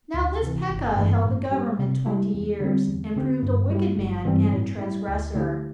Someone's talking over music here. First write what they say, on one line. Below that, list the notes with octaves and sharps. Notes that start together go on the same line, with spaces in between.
Now this Pekah held the government twenty years, and proved a wicked man and a transgressor.
D2
C3 E3
G1
G2 E3 A3
A2
G3 D4 G4
C3
G3 E4 G4
E2
D3 G3 C4
E2
D3 C4 G4
G2
G3 E4 G4
G1
G2 E3 G3 C4
A2
G3 E4 G4
D2
D3 A3 E4 G4